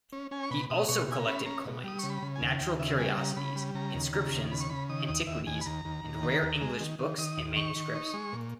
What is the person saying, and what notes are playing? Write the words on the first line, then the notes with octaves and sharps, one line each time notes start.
He also collected coins, 'natural curiosities,' inscriptions, antiquities and rare English books and manuscripts.
C#4
C#4 G#5
C#6
B2 B5
B2 D#6
B2 C#6
B2 G#5
A#5
C#4 B5
C#4 A#5
B2
G3 D#6
C#3 C#6
B5
C#3
G#5
D#2
D#2 G5
C#3 E5
G3 G#5
C#3 A#5
C#3 B5
G3
C#3 A#5
D#2
C#3 A#5
D#2
C#3 B5
C#6
C#3 B5
D#3 D#6
D#2 D#6
D#2 E5
D#2 G#5
B5
D#2 A#5
D#2
D#2
D#3
D#2
G#3
D#3
D#3
D#3 D#6
D#2
D#3 C#6
D#3
D#4
G#3
A#2